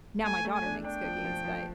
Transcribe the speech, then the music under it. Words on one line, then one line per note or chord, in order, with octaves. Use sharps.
now my daughter makes cookies, but,
A3 G#5
A3
G#5
D4
D4 G5
F3
F3
F3